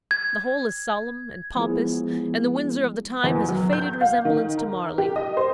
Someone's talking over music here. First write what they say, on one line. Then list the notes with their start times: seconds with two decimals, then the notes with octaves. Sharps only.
The whole is solemn and pompous, and the Windsor of the time has a faded resemblance to Marly.
0.11 G#6
1.56 F3 G#3 B3 E4 G#4
3.24 E2
3.49 F#3
3.73 G6
4.01 F5
4.25 D#3
4.57 A#4
4.98 G4
5.16 D#5
5.37 C5